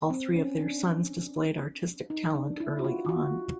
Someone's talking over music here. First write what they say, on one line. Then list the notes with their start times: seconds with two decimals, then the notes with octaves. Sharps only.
All three of their sons displayed artistic talent early on.
0.10 C4
0.36 C#4
0.61 D4
2.10 D#4
2.34 D4
2.60 E4
2.79 F#4
2.84 F4
3.05 F4
3.09 F#4